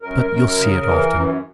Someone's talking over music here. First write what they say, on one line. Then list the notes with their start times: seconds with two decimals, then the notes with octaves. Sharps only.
But you'll see it often.
0.02 F#2 A#4
0.30 F#2
0.58 C#3
0.86 E3
1.14 F#2